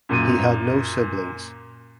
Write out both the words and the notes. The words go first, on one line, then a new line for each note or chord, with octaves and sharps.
He had no siblings.
F#2 A#2 D#7